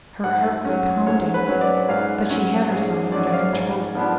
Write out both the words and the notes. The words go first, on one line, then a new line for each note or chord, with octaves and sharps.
Her heart was pounding, but she had herself under control.
G#2 F#5
F#3 C#4
G#2 C#5
B4
F#3 C#4
D5
G#2 F5
F#3 C#4
G#2 G#4
F#3 C#4 D5
D5
F5
G#2
F3 B3 D4